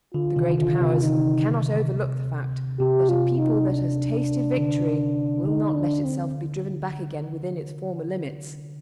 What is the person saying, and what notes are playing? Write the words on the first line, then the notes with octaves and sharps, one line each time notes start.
The Great Powers cannot overlook the fact that a people that has tasted victory will not let itself be driven back again within its former limits.
D3 F4
C3 D#3
D3 F4
C3
D#4
C3 G4
F4
D#4
D4
D3
D3 D#4
D4
C4